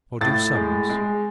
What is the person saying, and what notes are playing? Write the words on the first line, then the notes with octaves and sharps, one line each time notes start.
"Nor do sums?"
A2 A6
G#3
G#3